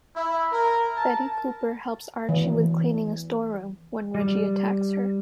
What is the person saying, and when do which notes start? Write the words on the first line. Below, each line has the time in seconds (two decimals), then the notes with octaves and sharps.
Betty Cooper helps Archie with cleaning a store room, when Reggie attacks her.
0.16 E4
0.51 A#4
0.97 A5
2.29 E3
4.15 G3